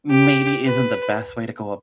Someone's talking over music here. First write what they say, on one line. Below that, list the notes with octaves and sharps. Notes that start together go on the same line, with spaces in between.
maybe isn't the best way to go
G4
B4